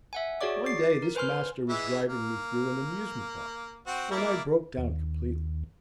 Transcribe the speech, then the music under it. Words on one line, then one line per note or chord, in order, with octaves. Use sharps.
One day this master was driving me through an amusement park when I broke down completely.
E5 F#5 G#5
F#4 G#4 C#5 D5 D6
D6 A6 C7
A#4
B4 C5 G#5 C6 F6
E3 G#3 E5
A#3
C4 F#4
A#3 E4 D5
D#2